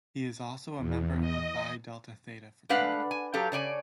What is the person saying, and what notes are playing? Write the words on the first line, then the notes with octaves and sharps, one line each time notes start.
He is also a member of the Phi Delta Theta Fraternity.
E2
D#5
G#3 A3 D4 B4 F5 F#5
G#5
F#3 G4 A4 F5
C#3 C#5 D5 G#5